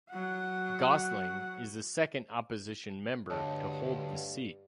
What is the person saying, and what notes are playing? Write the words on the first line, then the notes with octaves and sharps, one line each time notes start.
Gosling is the second opposition member to hold the seat.
F#3 F#5
D2 G2 C#5 D#5 A5